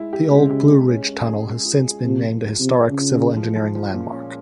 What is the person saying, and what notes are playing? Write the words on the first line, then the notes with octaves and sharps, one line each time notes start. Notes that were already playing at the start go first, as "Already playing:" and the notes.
The old Blue Ridge Tunnel has since been named a Historic Civil Engineering Landmark.
Already playing: G#3 E4
G4
C#3 G#3
G4
G#3
C#4
C#4
G#4
G#3
F4
G#3
C3 F3
F4
G#4
C3 F4
G#4
C#3
F4
G#3
F3
F3
F3
A#2
C#4